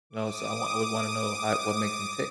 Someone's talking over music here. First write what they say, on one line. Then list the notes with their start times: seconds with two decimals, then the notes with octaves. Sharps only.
You know, so I wou I would wanna know how what makes him tick,
0.10 D6 D#6